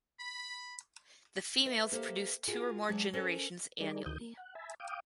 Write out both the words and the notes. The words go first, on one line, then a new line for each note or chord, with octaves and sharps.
The females produce two or more generations annually.
B5
B4 D5 E5
A#3 G4 A4 C5 F5
F4 F#4 G#4 A#4
F#3 G#3 D4
C#4 A4 A#4 C5
G3 D#4 G#4 A#4 D5
D2 D#3 D#6 G6
A#3
F#5
E5 G#5 A5 B5
F5 G5 D6 D#6